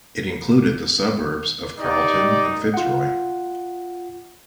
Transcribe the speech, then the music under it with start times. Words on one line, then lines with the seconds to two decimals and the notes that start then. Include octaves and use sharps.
It included the suburbs of Carlton and Fitzroy.
1.80 D#4 G4 D5
2.74 F4 F#5